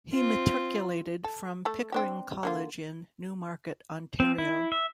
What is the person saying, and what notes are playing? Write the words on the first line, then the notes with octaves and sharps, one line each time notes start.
He matriculated from Pickering College in Newmarket, Ontario.
C4 F4
A4
A3 A4
C4 D4 G4
D3 A#3 F4
C4
E4
E5